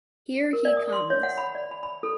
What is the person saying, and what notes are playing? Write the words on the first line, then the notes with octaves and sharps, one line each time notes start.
Here he comes.
A#4
D5
D#6
C6
C#5
F#5
B5
D5
B5
B5
A4